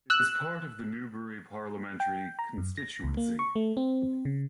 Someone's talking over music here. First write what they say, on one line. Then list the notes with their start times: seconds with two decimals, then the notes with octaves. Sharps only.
It is part of the Newbury parliamentary constituency.
0.10 E6 F#6
2.00 G5
2.39 A#5
2.58 F#2
2.77 A#6
3.04 C#2
3.17 A#3
3.39 C#6
3.56 A3
3.77 C4
4.25 C#3